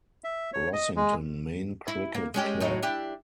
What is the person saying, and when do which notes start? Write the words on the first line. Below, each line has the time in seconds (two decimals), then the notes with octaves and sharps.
Rossington Main Cricket Club.
0.24 E5
0.53 C#5
0.73 D#5
0.96 G#3
1.88 E4
2.15 A#3
2.34 G#3 C#4 G4
2.60 A2 F#3 D#4
2.83 D4 E4 G4